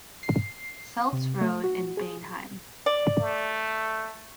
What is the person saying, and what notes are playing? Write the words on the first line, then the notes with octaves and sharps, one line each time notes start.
Seltz road in Beinheim.
C7
C3
A3
F#4
G#4
D5
A3